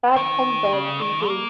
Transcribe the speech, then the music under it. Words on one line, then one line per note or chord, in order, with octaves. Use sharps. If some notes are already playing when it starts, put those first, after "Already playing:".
Bad Homburg v.d.
D#3
C#3
D#3
A#3